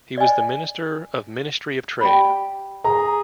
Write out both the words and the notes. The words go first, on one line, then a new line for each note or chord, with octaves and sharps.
He was Minister of Ministry of Trade.
D5 D#5 G#5
G4 D5 B5
G#4 A#5